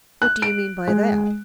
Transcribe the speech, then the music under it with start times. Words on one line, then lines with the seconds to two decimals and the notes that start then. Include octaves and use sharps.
"What do you mean by that?"
0.22 F#6
0.42 D7
0.88 G#3